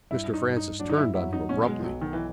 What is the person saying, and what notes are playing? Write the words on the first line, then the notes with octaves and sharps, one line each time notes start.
Mr. Francis turned on him abruptly.
G2 E4
D#4
G2
D#4
F#3 D4
D#4
E4
F#3 E4
D#4
B2 C#4
G#3
F3
B1 F#3
D#3
E3